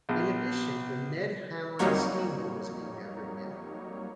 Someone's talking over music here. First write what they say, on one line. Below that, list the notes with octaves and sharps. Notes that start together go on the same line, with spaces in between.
In addition, the Ned Hanlan Steamboat is named after him.
A#1 B3 F4
F2 F#3 G3 A#3 D#4 C#5